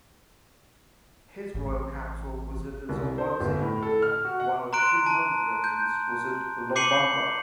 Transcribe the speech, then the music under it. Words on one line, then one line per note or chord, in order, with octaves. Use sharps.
His royal capital was at Zombodze while the Queen Mother's residence was at Lobamba.
A1
C2
C5
G1
A2
A4
F6
F#4
F#5
A#5 C6 F#6 D7
A5 A#5
G6
D6 G6 C7 C#7 D#7 F#7